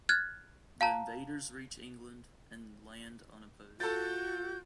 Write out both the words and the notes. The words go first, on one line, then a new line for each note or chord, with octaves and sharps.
The invaders reach England, and land unopposed.
F6 F#6 G#6 A6
F5 A5 A#5
F4 F#4 A4 G6 A6